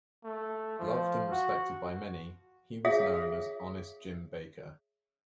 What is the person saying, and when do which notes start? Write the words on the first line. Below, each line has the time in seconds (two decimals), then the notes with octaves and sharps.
Loved and respected by many, he was known as "Honest Jim Baker".
0.24 A3
0.79 F3
1.31 F#4
2.85 G#4 C#5 E5 F5 D#6